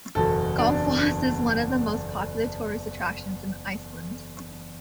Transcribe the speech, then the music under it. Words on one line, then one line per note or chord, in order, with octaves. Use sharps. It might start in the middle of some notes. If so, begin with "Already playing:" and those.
Gullfoss is one of the most popular tourist attractions in Iceland.
F#1 E2 B2 A4
D4